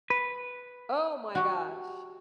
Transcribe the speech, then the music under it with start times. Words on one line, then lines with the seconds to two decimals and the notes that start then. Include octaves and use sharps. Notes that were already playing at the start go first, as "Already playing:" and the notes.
Oh my gosh.
0.10 B4
1.35 F#4 G4